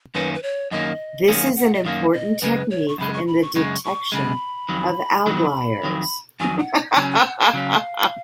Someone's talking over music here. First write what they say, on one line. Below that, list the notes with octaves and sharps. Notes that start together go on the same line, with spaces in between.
This is an important technique in the detection of outliers.
F#2 D#3 A#3 C#4 B4
B4
C#5
F#2 D#3 A#3 C#4 D#5
F#2 D#3 A#3 C#4 F5
F#5
D#5
F#2 D#3 A#3 C#4 F5
D#5
F#2 C#3 G#3 B4
C#5
C#6
F#2 C#3 G#3 B5
C#6
B5
C#6
F#2 C#3 G#3 C#6
C#6
F#2 C#3 G#3 B5
F2 D#3 F#3
F2 D#3 F#3
F2 D#3 F#3
F2 D#3 F#3 G#5
F#5
C#3 F#3 C#4 G#5
G#5
F#5
F5
C#3 F#3 C#4